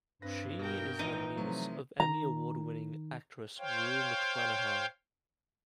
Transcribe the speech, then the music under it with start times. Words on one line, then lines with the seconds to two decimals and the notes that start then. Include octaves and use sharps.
She is the niece of Emmy Award-winning actress Rue McClanahan.
0.22 G2 C4 B4 A#6
0.59 B2 A#4 G5
0.99 G#1 E3 D#4 A#5
1.36 C3 F3 F#3 A3 F4
2.00 D#3 A#5
3.58 C5 C#5 F5 G5